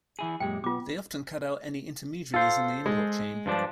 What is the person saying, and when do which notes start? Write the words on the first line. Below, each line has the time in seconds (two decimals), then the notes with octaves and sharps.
They often cut out any intermediaries in the import chain.
0.19 E3 E4 G#4
0.40 F#2 A#2 G#3 G4 G5
0.64 B1 B3 F4 D6
2.34 F4 A4 C5
2.86 G#3
3.46 G2 F3 D4